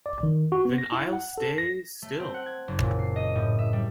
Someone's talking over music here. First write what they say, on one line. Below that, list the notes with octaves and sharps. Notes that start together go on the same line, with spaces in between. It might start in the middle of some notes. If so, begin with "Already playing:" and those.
Then I'll stay still.
D5
D#3
F#4
B3
A#6
E4
F#5
A4
A#6
A3
C4
F#5
G#6
F#1
A#2
C7
D#5
A2
E5
G3